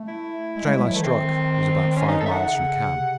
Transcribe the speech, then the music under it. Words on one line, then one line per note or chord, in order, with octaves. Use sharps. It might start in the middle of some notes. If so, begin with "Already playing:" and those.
The trail I struck was about five miles from camp.
Already playing: A3
E4
G#3
G#3
F#3
E3 A3
D#3 C4
C#4
D#4
A4
E5
F#5
C#3
C3